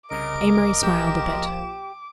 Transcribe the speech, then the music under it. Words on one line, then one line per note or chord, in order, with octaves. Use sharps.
Amory smiled a bit.
C2 C#3 A#4 D#5 D6 D7
A#1 F3 G4 E7